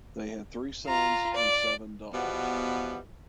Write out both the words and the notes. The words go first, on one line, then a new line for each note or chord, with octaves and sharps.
They had three sons and seven daughters.
F4 A#5
D5
B2 E3 F3 G3 B3